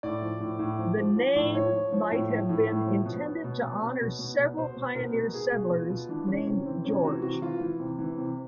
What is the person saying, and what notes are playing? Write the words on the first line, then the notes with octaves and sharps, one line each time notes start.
The name might have been intended to honor several pioneer settlers named George.
A2 D5
F3
A2
A2
F3
F3
F3
A2
F3 C#5
F3
F3
A2
F3
A2
A2
F3
B2
B2
B2
B2
B2
B2
B2
B2
B2 C5
B2
B2 A#4
B2
B2 G#4
B2
B2 F4
B2
E3 D4
E3 C#4
C3 C#4
E3 C4
C3 C#4
E3 F#4
C3 F#4
E3 F4
E3
C3
E3
C3